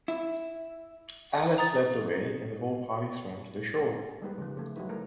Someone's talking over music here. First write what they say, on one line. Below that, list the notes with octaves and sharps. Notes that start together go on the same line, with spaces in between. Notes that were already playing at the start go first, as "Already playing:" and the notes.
Alice led the way, and the whole party swam to the shore.
E4
A#5 D#6 A6
G3 G#3 A#3 D#4 G4 B4
C#3 F3
C#3 A3
F#3 G3 D#4 E4 B4
A3 A#4